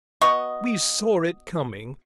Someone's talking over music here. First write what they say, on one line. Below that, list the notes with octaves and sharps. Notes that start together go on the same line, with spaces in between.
We saw it coming!
B2 B3 D#5 C#6